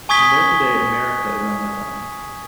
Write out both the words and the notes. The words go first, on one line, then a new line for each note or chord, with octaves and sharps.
And there today America is on that line.
G#5 C#6 D#6 G#6 B6 G7